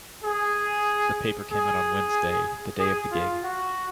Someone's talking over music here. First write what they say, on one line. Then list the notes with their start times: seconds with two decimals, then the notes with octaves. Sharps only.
The paper came out on Wednesday, the day of the gig.
0.24 G#4
1.52 G#4
2.79 G#4
3.11 F4
3.44 F#4